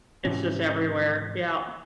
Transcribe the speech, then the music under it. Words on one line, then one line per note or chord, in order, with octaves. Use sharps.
It's just everywhere, yeah.
G#2 C3 E3 C#4